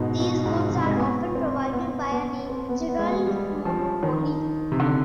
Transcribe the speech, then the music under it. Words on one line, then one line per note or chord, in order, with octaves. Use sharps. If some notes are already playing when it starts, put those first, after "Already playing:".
These goods are often provided by a natural monopoly.
Already playing: G#2 B2
B2
G#2
C3
G#3
B3
C4
B3
B3
C4
B3
B3
G#3
B3
G3
F3
D#3
C3
D3